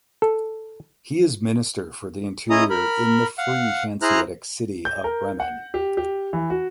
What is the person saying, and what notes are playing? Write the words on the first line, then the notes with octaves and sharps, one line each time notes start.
He is Minister for the interior in the Free Hanseatic City of Bremen.
A4
C#4 E4 G#4 D#5 A#5 D#6
A#4 B5
F5 F#5
E4 G#4 C5 A#5 F6 F#6
G6
A#4
F#5
G4
G4
E3
F#4